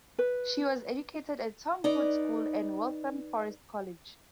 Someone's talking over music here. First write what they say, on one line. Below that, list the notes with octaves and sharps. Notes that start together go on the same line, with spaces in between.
She was educated at Tom Hood School and Waltham Forest College.
B4
D#4 B4 D5